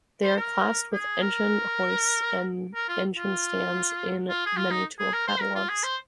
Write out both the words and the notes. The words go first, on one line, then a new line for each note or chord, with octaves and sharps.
They are classed with engine hoists and engine stands in many tool catalogs.
C5
A#4
G#4
A#4
A#4
F4
F4
F4
G#4
F4
D#4
G#4
A#4
C5
A#4
F4
G#4
C5